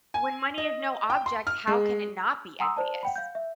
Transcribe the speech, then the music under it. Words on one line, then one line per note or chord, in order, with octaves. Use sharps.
When money is no object, how can it not be envious?
G#5
D#5
G5
C6
F6
G#3
F#5 G#5 A#5 C6 D#6 E6
C5 D5 A5
F#5 G5 B5
F5 G6
E5